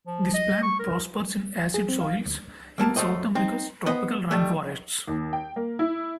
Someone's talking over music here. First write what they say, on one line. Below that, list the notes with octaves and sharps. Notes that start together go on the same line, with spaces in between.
This plant prospers in acid soils in South America's tropical rainforests.
F3
D#5
C#6
A#4
G#4
C4
F5
D2
D#2 A#3 A5
F#2 C3 A3 C5 D#5
C4 D#4
B3 C5 D#5
D#3 G3 A3
D#2
G5
A#3
E4